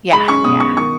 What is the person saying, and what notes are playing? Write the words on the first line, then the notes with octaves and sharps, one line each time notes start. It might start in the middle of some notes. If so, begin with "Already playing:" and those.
Yeah, yeah.
G#3 B5
C#4 C#6
B2 D#6
B2 C#6
D#3 C#6